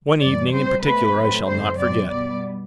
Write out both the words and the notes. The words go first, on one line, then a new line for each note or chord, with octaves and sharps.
One evening in particular I shall not forget.
F#2 E3 G3 D5
C3 G3 C4 C5
B2 A3 C4 B4
A2 F#3 A3 C4
F#2 D3 A3 C4 C5
B2 F#3 C4 D5
B2 G3 B3 D5